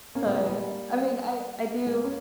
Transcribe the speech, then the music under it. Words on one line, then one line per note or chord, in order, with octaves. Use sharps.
oh yeah. I mean, I I do
A#3 C#4
G#3 B3
G#3 B3
G3 A#3
G#3 B3
A#3 C#4